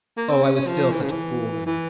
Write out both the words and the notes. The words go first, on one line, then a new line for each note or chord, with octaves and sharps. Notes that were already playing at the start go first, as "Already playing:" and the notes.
Oh, I was still such a fool then....
A#3
C4
C#4
C#4
F3
E3
C#3
E3
E3